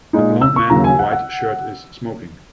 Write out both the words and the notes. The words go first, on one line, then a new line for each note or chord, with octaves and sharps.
A blond man in a white shirt is smoking.
A#2 G#3 D#4
E6
C#6
D#2 C#3 F#3 A#5
G#5
F#5
F#5